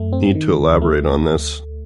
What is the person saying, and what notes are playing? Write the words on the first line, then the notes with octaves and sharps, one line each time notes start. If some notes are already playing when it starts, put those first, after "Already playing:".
Need to elaborate on this.
Already playing: F#2 A3
C4
D#3
D2
A3